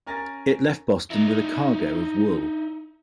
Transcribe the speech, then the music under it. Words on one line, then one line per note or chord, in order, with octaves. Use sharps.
It left Boston with a cargo of wool.
C#4 A#4 G#5 A6 A#6
D#4 E4